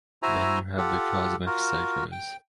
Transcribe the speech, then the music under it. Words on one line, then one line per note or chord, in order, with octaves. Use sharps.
Then you have the Cosmic Psychos.
E4 F#4 C5 E5 G#5 A#5
F4 G4 A4 F#5
F4 F#4 A#4
G5